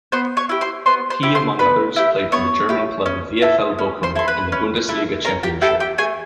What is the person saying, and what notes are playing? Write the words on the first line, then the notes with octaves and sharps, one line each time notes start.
He among others played for the German club VfL Bochum in the Bundesliga championship.
B3 C5 C6
C#5 C#6
E4 G4
C5 C6
B3 C5 C6
C5 C6
E4 G4
C5 C6
B3 B4 B5
E4 G4
B3 C#5 C#6
E4 G4
C#4
E4 A4
C#4
C5 C6
E4 A4 C6
B4 B5
C#4
E4 A4
C#4 A#4 A#5
G4 G5
E4 G4 A4 G5
G4 G5
A3 G#4 G#5